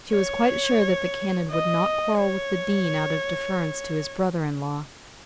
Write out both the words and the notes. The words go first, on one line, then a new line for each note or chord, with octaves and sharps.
She was quite sure that the Canon would not quarrel with the Dean out of deference to his brother-in-law.
C#5
D#5
C#5